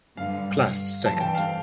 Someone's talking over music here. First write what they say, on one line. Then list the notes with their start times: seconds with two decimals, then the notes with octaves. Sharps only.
Class Second.
0.17 G2 D3 G3 F5
1.05 G2 E3 G3 A5
1.20 G5
1.35 F5